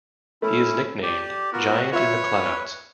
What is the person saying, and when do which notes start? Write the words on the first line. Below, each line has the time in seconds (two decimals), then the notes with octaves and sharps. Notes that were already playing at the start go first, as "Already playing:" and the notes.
He is nicknamed "Giant in the Clouds".
0.42 A3 C#4 E4
1.03 G4 D5
1.53 B3 F4 F#4 A#4
1.92 F4 B4 C#5 E5